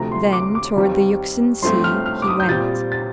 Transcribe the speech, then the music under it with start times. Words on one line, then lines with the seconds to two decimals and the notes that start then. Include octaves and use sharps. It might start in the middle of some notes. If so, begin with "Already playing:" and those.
Then toward the Euxine Sea he went.
Already playing: D2 C3 F3 A3 A#5
0.12 C6
0.33 D6
0.55 D6
0.76 D#2 D#3 G3 C4
1.62 G2 F3 A3 C4 C6
1.84 F6
2.06 F6
2.22 D6
2.28 D#6
2.40 G6
2.49 A#2 G3 C4 A6
2.92 A6